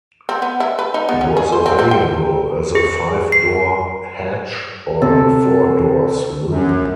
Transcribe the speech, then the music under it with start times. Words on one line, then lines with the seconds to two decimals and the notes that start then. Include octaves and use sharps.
It was available as a five-door hatch or a four-door saloon.
0.29 C4
0.42 B3
0.60 E4
0.79 B4
0.94 D#4
1.09 B3
1.21 C#4
1.37 G#4
1.52 C5
1.66 C4
1.79 C4
1.91 G5
2.75 G#4
3.32 C7
5.02 C3 A4
6.47 F#2